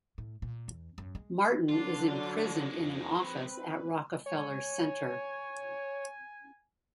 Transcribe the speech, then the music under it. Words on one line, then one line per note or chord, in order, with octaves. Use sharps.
Martin is imprisoned in an office at Rockefeller Center.
A2
A#2
E2
F#2
G#3
D3 F#3 D4 F4
F3 G#3
F2
C4 B4
C#5 G#5